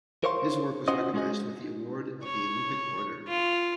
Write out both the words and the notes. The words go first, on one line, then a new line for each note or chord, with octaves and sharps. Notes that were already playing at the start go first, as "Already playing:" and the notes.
His work was recognized with the award of the Olympic Order.
A#4 C5 C#5 F5 C6
C#4 F4 F#4 C5 D#5
G#3 C#4 F#4 G#4 D#5
C#5
F4